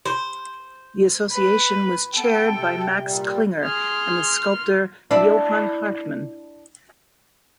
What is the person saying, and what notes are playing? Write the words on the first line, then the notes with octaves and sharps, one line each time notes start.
The association was chaired by Max Klinger and the sculptor Johannes Hartmann.
C5
B4
B3 A4 G5
C3
A#2 G3
G#4 C6 F6
D4 E4